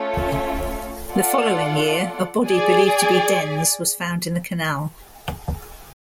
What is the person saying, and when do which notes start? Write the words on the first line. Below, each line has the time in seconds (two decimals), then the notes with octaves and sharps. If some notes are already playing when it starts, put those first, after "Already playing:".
The following year, a body believed to be Den's was found in the canal.
Already playing: A3 C#4 F4 A4 C#5
1.10 F4 A4 D5 F#5
2.47 G#4 D5 G#5